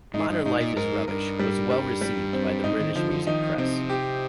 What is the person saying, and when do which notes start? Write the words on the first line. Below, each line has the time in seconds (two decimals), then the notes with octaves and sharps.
"Modern Life Is Rubbish" was well received by the British music press.
0.14 G#2 D#4
0.30 G2
0.45 G#2 D#4
0.60 A#2
0.76 G#2 A#4
1.08 G2 A#4
1.39 G3
1.70 G3
2.01 G3
2.33 C4
2.64 G#2 D#4
2.80 D#3
2.95 D3 F3
3.11 D3
3.26 D#3 D#4
3.58 C3 C4
3.89 G4